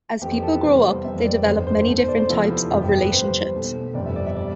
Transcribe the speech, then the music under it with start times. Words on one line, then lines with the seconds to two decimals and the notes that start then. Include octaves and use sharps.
As people grow up, they develop many different types of relationships.
0.21 F2 E3 A3 G4
0.32 G4
0.43 A4
0.53 B4
0.63 E2 C3 G3 C5
1.04 F2 E3 G3 E5
1.25 D5
1.46 G1 F2 D3 A3 C5
1.67 C5
1.88 B1 B2 A3 C5
1.98 C5
2.08 D5
2.18 C5
2.29 E2 C3 F3 A3 E4
2.50 E4
2.70 G1 F2 C3 E3 A3 F4
2.81 G4
2.92 G4
3.01 B4
3.12 F2 C3 G3 C5
3.54 B1 B2 A3
3.94 G1 F2 C3 E3 G3 D5
4.06 E5
4.16 D5
4.26 E5
4.37 B2 G3 D5